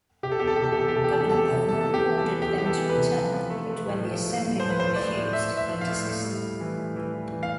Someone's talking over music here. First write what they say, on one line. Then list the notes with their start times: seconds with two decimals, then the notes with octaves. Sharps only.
Governor Pownall ordered them to return, but when the assemblymen refused, he dismissed them.
0.23 C3 G4
0.32 A4
0.40 E2 G4
0.47 A4
0.56 G4
0.60 C3 A4
0.72 G4
0.78 E3 A4
0.88 G4
0.96 C3 A4
1.04 G4
1.13 E3 A4
1.21 G4
1.29 A4
1.33 E2 G4
1.51 C3
1.69 E3 A4
1.81 A4
1.87 E3
1.94 G4
2.06 E3
2.18 A4
2.24 E3
2.42 E2 G4
2.58 E3 G4
2.66 A4
2.78 E3
2.90 B4
2.97 C3
3.15 F3
3.33 F3
3.50 A3
3.69 A3
3.87 A2
4.05 F3
4.23 A2
4.42 A2
4.59 F3 C5
4.70 B4
4.78 A2 C5
4.96 A2 D5
5.15 A2
5.32 A2 E5
5.52 A2
5.57 E5
5.69 F3
5.81 F5
5.88 A2
6.06 A2
6.24 G3
6.42 A2
6.60 E3
6.78 A2
6.96 E3
7.15 E3
7.32 E3
7.43 F5